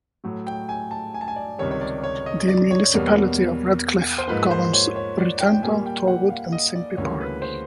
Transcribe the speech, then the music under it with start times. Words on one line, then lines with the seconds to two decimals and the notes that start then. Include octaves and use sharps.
The municipality of Redcliff governs Rutendo, Torwood and Simbi Park.
0.24 A2 F#3 A3
0.47 G5
0.69 G#5
0.91 A5
1.14 G#5
1.21 A5
1.28 G#5
1.36 D5
1.58 C#2 C3 D#3 G3 C#5
1.71 C#5
1.81 D5
2.03 C#5
2.26 D#5
2.48 D5
2.71 C#5
2.94 E2 B2 G3 A#3
4.18 C5
4.28 G#2 F3 A#3 B4
4.51 C5
4.74 C#5
4.96 C#5
5.18 D5
5.40 G5
5.53 G5
5.63 A#2 G3 A#3 G#5
5.86 G5
6.08 F#5
6.30 F5
6.52 D#5
6.75 D5
6.97 D2 C#3 E3 G3 A#3 C#5
7.21 B4
7.42 C5